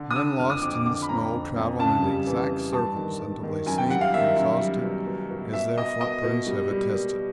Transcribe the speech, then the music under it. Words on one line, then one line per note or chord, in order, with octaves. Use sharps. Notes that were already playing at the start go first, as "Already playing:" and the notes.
Men lost in the snow travel in exact circles until they sink, exhausted, as their footprints have attested.
Already playing: D3
D#6
D3 E6
F2 F6
D#6
F2 D6
D6
D3 D6
B5
F2 A#5
F2
F2
C#3 A5
G3
E3
E3
G2 A5
D#3
G2
D#3
F#2 G#5
G5
G3 F#5
F5
D#3 E5
F#2
G3
B2
B2
B2
B2 E5
B2 D#5
B2 D#5
B2
G3
G3
G3